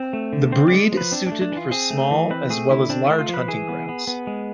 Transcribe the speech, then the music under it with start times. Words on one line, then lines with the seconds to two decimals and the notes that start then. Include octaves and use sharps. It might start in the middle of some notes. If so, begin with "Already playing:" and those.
The breed is suited for small as well as large hunting grounds.
Already playing: C4
0.13 A3
0.33 D3
0.52 C4 C5
0.68 G#3 D5
0.92 F3
0.97 B4
1.12 C4 D4
1.27 D4
1.32 A3
1.42 D4
1.52 E3
1.57 F4
1.71 C4 G#4
1.91 A3
2.11 E3
2.30 C4 B4
2.50 A3 G#4
2.70 D3 E4
2.90 C4 D4
3.05 A3 E4
3.19 F4
3.29 F3
3.34 B4
3.48 E3 G#4
3.69 B3
3.89 B3
4.07 B3
4.27 G#3